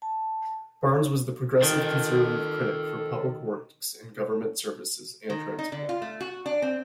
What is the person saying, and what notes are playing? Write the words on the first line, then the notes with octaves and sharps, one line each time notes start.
Barnes was the Progressive Conservative critic for Public Works and Government Services, and Transport.
A5
D#3 A4 C5
D#3
D#4
D3
F4
A3
F#4
D4
C4